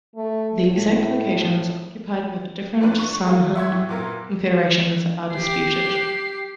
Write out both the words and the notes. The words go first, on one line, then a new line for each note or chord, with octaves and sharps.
The exact locations occupied by the different Samhan confederations are disputed.
A3
A2
G1 E2 F3 D4 B4 F#6
C#6
E4 F4 G#4
E5 F#5 C6 C#6 E6 G#6
A2 G4
A#2 B3 A#4
G4 C7